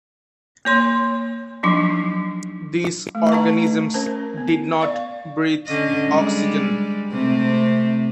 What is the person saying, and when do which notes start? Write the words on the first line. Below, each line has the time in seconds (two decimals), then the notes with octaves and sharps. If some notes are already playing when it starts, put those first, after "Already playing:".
These organisms did not breathe oxygen.
0.65 A#3 C#5 C6
1.63 F3 F#3 D4 D#4
3.15 A3
3.32 B4 D#5 F#5 A5 A#5 C#6
3.94 C#4 A#4 C5 A5
4.38 B3
4.81 D5 F5 C#6
5.67 D3 C#4 D#5
6.07 G3 G#3
7.12 C3 A3 C4